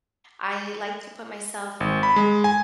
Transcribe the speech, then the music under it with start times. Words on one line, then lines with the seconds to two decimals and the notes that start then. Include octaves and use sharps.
I like to put myself
1.80 G#1
2.03 B5
2.16 G#3
2.44 G#5